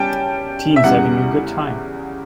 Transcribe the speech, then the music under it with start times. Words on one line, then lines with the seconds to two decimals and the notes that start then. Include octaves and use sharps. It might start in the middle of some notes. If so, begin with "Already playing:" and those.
Teens having a good time.
Already playing: G3 C#4 G5 A5
0.76 E5
0.84 E2 C#3 G3 F#5